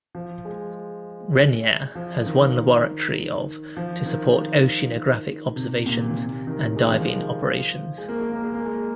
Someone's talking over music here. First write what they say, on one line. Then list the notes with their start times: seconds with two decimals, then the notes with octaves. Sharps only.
"Rainier" has one laboratory of to support oceanographic observations and diving operations.
0.15 F3
0.45 G#3
1.95 F3
2.26 D#3
3.77 F3
4.06 D#3
5.56 C3
5.86 A#2
6.10 D#3
6.17 C3
6.47 D#3
6.76 G#3
6.85 F3
6.92 D#3
7.00 F3
7.98 G#3
8.09 A#3
8.20 G#3
8.32 A#3
8.44 G#3
8.54 A#3
8.66 G#3